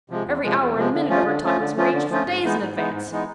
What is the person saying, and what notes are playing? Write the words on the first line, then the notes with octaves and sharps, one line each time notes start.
Every hour and minute of her time is arranged for days in advance.
C3 F3 G#3
E2
C3 F3 G#3
E2
C3 F3 G#3
D3
F3 A3 C#4 F4
D3
F3 A3 C#4 F4
D3
F3 A3 C#4 F4
D3
F3 A3 C#4 F4
G#2
E3 G#3 B3 D#4
G#2
E3 G#3 B3 D#4
G#2
E3 G#3 B3 D#4